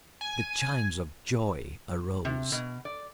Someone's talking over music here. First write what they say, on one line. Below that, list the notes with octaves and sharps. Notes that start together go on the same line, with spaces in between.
The chimes of joy arose.
G#5
C3
B2
D5